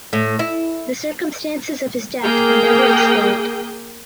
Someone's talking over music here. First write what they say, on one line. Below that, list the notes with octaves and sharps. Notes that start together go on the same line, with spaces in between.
The circumstances of his death were never explained.
A2
E4
A#3 G#4 G5